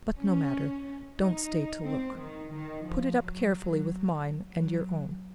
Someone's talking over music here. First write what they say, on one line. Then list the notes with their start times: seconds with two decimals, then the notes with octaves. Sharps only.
But no matter; don't stay to look; put it up carefully with mine and your own.
0.16 C#4
1.17 D#4
1.83 C4
2.16 D#3
2.50 D#3
2.83 F3
3.17 F#3
4.50 F#3